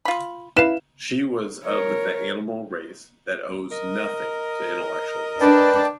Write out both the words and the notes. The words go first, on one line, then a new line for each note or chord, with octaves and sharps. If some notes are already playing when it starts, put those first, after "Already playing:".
She was of the animal race that owes nothing to intellectualism.
F4 B5
E4 B4 F5 E7
A#4 C#5
A#4 D#5
D4 B4 D5 G5 A5